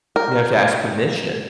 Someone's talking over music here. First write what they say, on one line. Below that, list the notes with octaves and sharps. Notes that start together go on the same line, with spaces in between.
You have to ask permission.
A#4